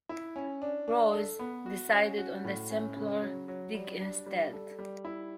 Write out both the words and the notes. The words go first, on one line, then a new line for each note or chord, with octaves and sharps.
Rose decided on the simpler Digg instead.
E4
C#4
D4
D4
A4
B3
F#4
C#4
F#4
A2
C#4
C#3
F#3
F#3
G3
D4
G3
A4
G3
E4